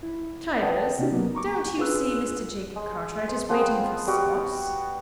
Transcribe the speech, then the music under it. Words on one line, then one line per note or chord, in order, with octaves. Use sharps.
Chivers! don't you see Mr. Jacob Cartwright is waiting for sauce?...
E4
B4 D5 D#5 F#5 G5 A5
C3 B3 C#4 D#4 F#4 G4
F#3 A#3 B3
A#5 C#6 D6
D4 F4 G#4 B4 E6 F#6
G#3
C5
F3 B3 C4 G#4
G3 B3 F#4 G4